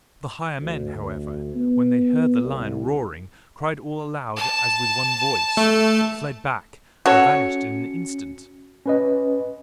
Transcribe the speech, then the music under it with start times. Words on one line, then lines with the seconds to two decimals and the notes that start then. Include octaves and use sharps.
The higher men, however, when they heard the lion roaring, cried all aloud as with one voice, fled back and vanished in an instant.
0.60 D2
0.95 D2
1.55 B3
2.43 C2
4.36 A5
5.57 A3
7.06 C#4 F#4 A4 C#5 C#7
8.86 C#4 B4 D#5